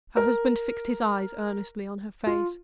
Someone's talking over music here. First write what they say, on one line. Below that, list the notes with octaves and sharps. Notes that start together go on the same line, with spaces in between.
Her husband fixed his eyes earnestly on her face.
A#4
F4